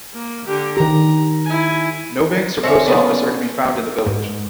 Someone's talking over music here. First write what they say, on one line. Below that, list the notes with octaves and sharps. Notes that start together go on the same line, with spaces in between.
No banks or post office are to be found in the village.
A#3
D3 G4
D#3 G4 A#5
E4 G#5
C4 C#4 C#5 E5
B3 D4
G#2